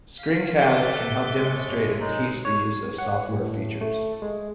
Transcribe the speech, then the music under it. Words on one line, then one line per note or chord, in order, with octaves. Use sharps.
Screencasts can help demonstrate and teach the use of software features.
F5 B6
A3 D6 F#6 G6 A6
G#3 C#6
G2 B2 C#5
G#3 D#4 F#6
C#5
F#5
A2
A3
G#3